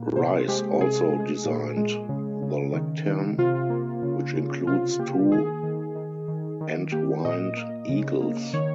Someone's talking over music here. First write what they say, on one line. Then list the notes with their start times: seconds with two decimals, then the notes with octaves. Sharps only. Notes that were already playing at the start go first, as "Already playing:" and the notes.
Rice also designed the lectern, which includes two entwined eagles.
Already playing: A#2 A#3
0.16 C3 C5
0.48 G#3 G4
0.80 C3 G#4
1.13 G#3
1.46 A#2
1.77 G#3
2.09 C#3
2.42 C#3
2.73 D#3
3.06 D#3
3.38 C3 F4
3.70 A#3
4.03 C#3
4.35 C#3
4.67 C3 F4
4.99 A#3 G4
5.32 D#3 G#4
5.63 D#3
5.95 D#3
6.28 D#3
6.61 D#3
6.92 A#3 G4
7.25 A#2 D#5
7.57 A#3
7.89 C#3
8.21 A#3
8.53 D#3 C#5